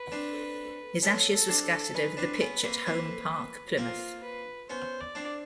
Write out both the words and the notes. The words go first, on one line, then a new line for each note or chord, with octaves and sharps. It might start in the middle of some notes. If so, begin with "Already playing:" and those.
His ashes were scattered over the pitch at Home Park, Plymouth.
Already playing: B4
C4 D4
B3 C#4 A4
A4
C4 D4
A4
C#4 D#4 B4
C4 D4
C4
B3 C#4
A#3 C4
A#3 C4
A#3 C4 F4
B4
B3 C#4 C5
D5
C4 D4